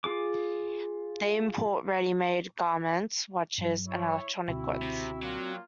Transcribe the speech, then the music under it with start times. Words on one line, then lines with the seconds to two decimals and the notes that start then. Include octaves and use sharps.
They import ready-made garments, watches and electronic goods.
0.04 F4 G#4 D6
3.58 G2 F#3
3.87 E4 C#5
4.48 C#2 B2 D3 C4 E4 F#4
4.82 C3
5.22 F#3 A#3 D4 F4